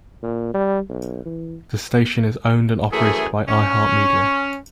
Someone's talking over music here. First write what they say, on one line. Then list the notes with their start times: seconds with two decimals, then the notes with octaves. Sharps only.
The station is owned and operated by iHeartMedia.
0.22 A#2
0.54 G3
0.89 B1
1.26 E3
2.91 F#2 E3 A3 G#4
3.49 C#4